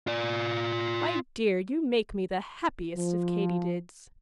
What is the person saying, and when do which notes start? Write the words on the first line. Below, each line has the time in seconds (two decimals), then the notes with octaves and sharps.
"My dear, you make me the happiest of Katy-dids."
0.07 F4 D5
2.96 F3